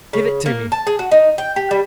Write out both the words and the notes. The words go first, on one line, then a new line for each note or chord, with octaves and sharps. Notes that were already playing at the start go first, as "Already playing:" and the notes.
Give it to me!
C#3
A#3
A5
G#4
F#4
D#4
G5
G4
G3